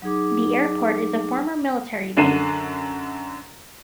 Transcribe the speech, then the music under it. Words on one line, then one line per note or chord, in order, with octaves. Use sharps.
The airport is a former military base.
F#3 D#4 G#4 D6
F#2 D3 D4 C7 D#7 E7